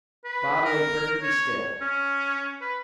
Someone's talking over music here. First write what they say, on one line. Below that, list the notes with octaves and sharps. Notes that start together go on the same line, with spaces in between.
Bob lay perfectly still.
B4
A#4
C#5
C#4
B4